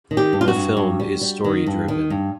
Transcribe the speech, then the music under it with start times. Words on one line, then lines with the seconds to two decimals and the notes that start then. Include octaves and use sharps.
The film is story driven.
0.11 D#3
0.17 G4
0.33 G2
0.41 F4
0.48 F#4
0.55 G2
0.77 G2
1.00 G3
1.21 G3
1.44 D#3
1.66 G2
1.88 D#3
2.10 G2